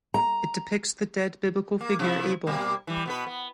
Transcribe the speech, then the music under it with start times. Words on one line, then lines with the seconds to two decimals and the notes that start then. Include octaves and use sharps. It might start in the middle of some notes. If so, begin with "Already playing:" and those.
It depicts the dead biblical figure Abel.
0.14 A#5
1.81 A#3
1.99 C3 F3 E4
2.47 B2 G3 A#3
2.87 E3 G3
3.06 B2 B3 B4
3.26 B3